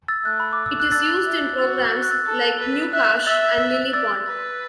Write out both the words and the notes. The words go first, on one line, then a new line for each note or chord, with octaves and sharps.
It is used in programs like GnuCash and LilyPond.
E6 A6
A3 F#6
B5
D6
E6
F#6
D4 E6 A6
E4
F#4 E6 A6
A6
F#6
E6 A6
A4
B4
E5 F#6
E5 E6 A6
D5 E6 A6
B4